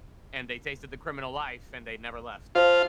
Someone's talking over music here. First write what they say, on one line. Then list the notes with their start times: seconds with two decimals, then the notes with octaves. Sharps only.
and they tasted the criminal life and they never left.
2.55 F3 F4